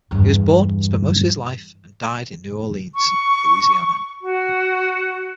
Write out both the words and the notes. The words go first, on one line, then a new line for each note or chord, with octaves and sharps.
He was born, spent most of his life, and died in New Orleans, Louisiana.
E2 G2
C#6
F#4